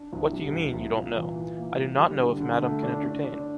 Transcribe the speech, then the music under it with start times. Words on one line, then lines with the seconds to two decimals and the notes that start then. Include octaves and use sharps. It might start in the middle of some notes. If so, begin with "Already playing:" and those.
What do you mean, you don’t know? I do not know if madam can entertain.
Already playing: D4
0.13 C2
0.33 G3
0.53 C2
0.74 C2
0.95 A#2
1.15 E3
1.36 E3
1.58 A#3
1.78 G3
1.99 G3
2.20 D3
2.41 D3
2.61 A3
2.83 D4
3.03 D4
3.24 D4